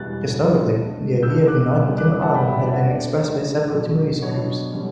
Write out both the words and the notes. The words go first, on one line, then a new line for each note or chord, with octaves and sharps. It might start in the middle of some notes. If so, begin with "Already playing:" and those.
Historically, the idea of uniting Timor Island had been expressed by several Timorese groups.
Already playing: E2 B2 G3 F#6 A6
E2 B2 G3
B2 A3 D4
B2 A3 D4 E6 G6
D6 F#6
C#3 G3 C#4
D6 F#6
C#3 G3 C#4 F#5 A5
G5 B5
E5 G5
D5 F#5
D3 A3 D4 C#5 E5
D5
D3 A3 D4
B2 F#3 B3 D4
B2 F#3 B3 D4 C#5
D3 G3 C#4